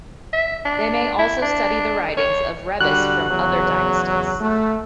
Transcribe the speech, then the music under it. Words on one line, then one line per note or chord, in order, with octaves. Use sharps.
They may also study the writings of Rebbes from other dynasties.
E5
D4
E4
D4
C#5
D3 G3 F#4 F#6
E2 C#3 F#3
A3